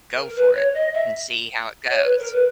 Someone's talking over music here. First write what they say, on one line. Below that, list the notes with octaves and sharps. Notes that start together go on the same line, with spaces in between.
go for it and see how it goes
A#4
B4
C#5
D#5
E5
C#5
B4
A#4
B4